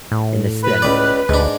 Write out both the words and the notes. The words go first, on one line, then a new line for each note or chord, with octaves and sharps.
in the center,
A2
B4
C#2 D5
D2 G#2 D4